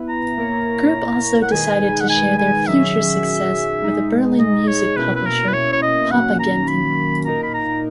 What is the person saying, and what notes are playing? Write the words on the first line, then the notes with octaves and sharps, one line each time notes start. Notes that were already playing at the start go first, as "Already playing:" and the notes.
Group also decided to share their future success with a Berlin music publisher "Popagenten".
Already playing: B3 E4 B4
A#5
A#3 E4 A#4 C#5
F#5
D#3 G#3 D#4 G#4 B4 G#5
F#5
G#5
G#5
D#3 F#3 C#4 G#4 E5
G#3 D#4 G#4
D#5
C#5
B2 A#3 C#4 E4 B4
B4
A#4
B4
C#5
C#5
D#5
D#3 F#3 A#3 C#4 F#5
A#5
B5
A#2 A#3 D#4 A#4 A#5
B5
A#5